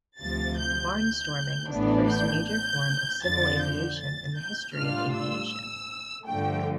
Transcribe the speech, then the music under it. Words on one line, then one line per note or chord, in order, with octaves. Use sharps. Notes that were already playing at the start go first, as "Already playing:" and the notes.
Barnstorming was the first major form of civil aviation in the history of aviation.
D2 C3 F3 A6
G6
G6
A1 A2 E3 B3 D4
G6
G6
F2 D3 F3 A6
G6
A6
G6
A2 G3 D4 F4 F6
E6
G2 D3 F3 A3 G5